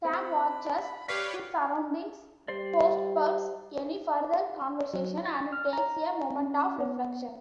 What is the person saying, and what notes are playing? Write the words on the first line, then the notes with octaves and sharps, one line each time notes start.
Sam watches his surroundings, postpones any further conversation, and takes a moment of reflection.
C4 B5
G4 B4 C#5 D5 F5 B6
G3 C5 D5
F#3
A6
F6
A#5
C#4
B3